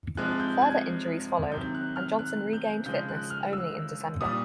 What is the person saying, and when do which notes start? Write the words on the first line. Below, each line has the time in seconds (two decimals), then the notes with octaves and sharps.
Further injuries followed, and Johnson regained fitness only in December.
0.17 C3 F3 G#3 F#6
0.40 G6
0.62 G#6
1.51 C3 D#3 F#3 G6
1.75 F#6
1.96 F6
2.19 F#6
2.53 G6
2.86 C#3 F3 G#3 G6
3.09 F#6
3.30 F6
3.53 E6
4.21 A#2 G3 D#6